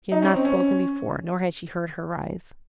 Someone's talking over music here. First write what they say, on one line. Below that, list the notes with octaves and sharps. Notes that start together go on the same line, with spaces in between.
She had not spoken before, nor had he heard her rise.
D#4
C#4
C4
C#4